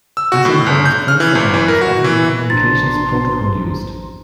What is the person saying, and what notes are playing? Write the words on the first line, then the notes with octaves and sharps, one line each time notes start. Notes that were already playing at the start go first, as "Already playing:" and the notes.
Asynchronous Transfer Mode is often the communications protocol used.
E6
F#4
A2
G1
G6
F6
E3
G#1
E3
A#4
F#4
E3
A1 D4 C5 A#5 C6 A6